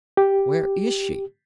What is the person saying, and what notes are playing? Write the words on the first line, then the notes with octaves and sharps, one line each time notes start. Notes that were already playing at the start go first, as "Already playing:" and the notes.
"Where is she?"
G4